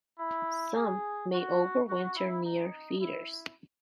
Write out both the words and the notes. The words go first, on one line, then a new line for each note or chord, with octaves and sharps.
Some may over-winter near feeders.
E4
G#4
F#4
F#4
E4
D#4
E4